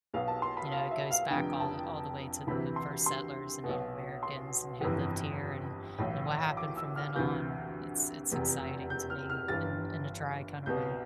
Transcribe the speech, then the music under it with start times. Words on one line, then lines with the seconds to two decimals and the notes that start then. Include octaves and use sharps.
you know, it goes back all all the way to the first settlers and Native Americans and who lived here and and what happened from then on, and it's it's exciting to me in in a dry kinda way.
0.14 B1 B2 F5
0.28 A5
0.42 C6
0.57 B5
0.72 F5
0.91 E5
1.11 F5
1.31 F1 F2 D3 G5
1.60 A5
2.47 D2 C3 E3 B5
2.76 C6
3.06 C6
3.64 B2
3.69 B1
4.23 C6
4.81 G1 F2 C3 E3
5.98 B1 A2 E3
6.57 D6
6.77 E6
6.96 F6
7.16 D2 C3 E3 G6
8.32 F1 E2 C3
8.90 G6
9.10 F6
9.30 F6
9.48 G1 G2 E3 A6
10.66 C2 B2 G6